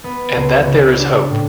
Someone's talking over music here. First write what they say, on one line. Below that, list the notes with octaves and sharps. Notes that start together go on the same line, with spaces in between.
And that there is hope.
B3
C#2
C#3
D4
A2